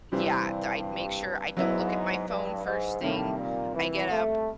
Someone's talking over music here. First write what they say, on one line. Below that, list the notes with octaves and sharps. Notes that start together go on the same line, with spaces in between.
yeah, d I'd make sure I don't look at my phone first thing, I get up,
G2 C3 E3 G3 C4
G#2 F#3 B3 E4
G2
G#2
A2 C3 D#3 G3 A#3
A#2
E3
A3